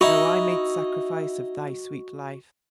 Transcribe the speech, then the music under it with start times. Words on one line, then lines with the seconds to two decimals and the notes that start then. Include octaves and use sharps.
Though I made sacrifice of thy sweet life.
0.01 D#4 E4 F#4 D#5